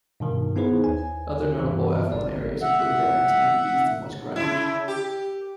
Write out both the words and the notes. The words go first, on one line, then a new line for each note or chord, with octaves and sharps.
Other notable affluent areas include Barrington and East and West Greenwich.
G2 B2 D#3
B3 D#4 E4 G#4 B4 C5
D#2 G#5
G2 E3
G#1 D5
E5 F#5
C#3 E4
G4